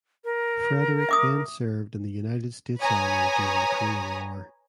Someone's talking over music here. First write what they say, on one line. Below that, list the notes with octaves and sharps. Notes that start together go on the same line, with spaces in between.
Frederick then served in the United States Army during the Korean War.
A#4
E5 D6 D#6
B4 C#5 G#5 A#5 D#6